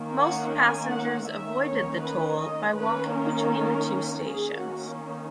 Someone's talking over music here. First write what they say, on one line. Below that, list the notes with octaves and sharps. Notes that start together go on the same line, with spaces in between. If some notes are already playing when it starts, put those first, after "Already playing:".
Most passengers avoided the toll by walking the between the two stations.
Already playing: D#3 A#3 C#4
F#5
G#5
F#5
D#3 A#3 C#4 E5
C#5
B4
D#5
D#3 A#3 C#4 B4
A#4
D#3 A#3 C#4 G#4
F#4
D#4